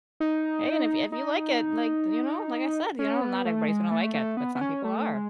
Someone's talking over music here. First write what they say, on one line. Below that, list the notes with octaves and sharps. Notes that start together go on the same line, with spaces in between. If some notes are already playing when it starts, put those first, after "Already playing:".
Hey, and if if you like it, like, you know, like I said, you know, not everybody's gonna like it, but some people are.
D#4
D#4
C#4
B3
A3
G#3
A3
A3
B3
B3
C#4
A3
G#3